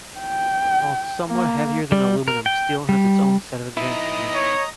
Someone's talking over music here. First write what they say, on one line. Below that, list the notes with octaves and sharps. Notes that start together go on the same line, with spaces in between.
Whilst somewhat heavier than aluminium, steel has its own set of advantages.
G5
A#3
G3
A#4
G5
G3
B3 D#4 E4 D#5 A#5 D#6
C#5